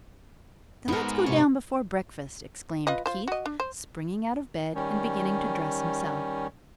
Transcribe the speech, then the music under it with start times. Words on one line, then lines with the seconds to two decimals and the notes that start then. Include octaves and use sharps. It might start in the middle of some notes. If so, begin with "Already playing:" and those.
"Then let's go down before breakfast," exclaimed Keith, springing out of bed and beginning to dress himself.
0.88 E2 G#2 B3 A#4
1.26 C3 C#5
2.87 F4 B4 D#5
3.06 F4 C5
3.28 F#4 D#5
3.46 D4
3.60 C5
4.75 D#3 G3 C#4